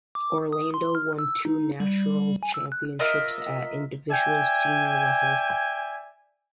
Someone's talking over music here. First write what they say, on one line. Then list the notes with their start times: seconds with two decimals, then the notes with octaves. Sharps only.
Orlando won two national championships at individual senior level.
0.15 D6
0.53 D#6
0.74 C6
0.95 F6
1.19 E6
1.45 D#4
1.80 G3
2.43 G#5
2.54 E6
2.72 F#6
2.99 F4 A#4 D#5 E5
4.11 D5 E5 G5 G#5